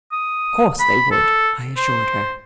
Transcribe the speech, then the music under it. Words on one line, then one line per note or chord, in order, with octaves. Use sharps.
"Of course they would," I assured her.
D#6
B5
A4
C5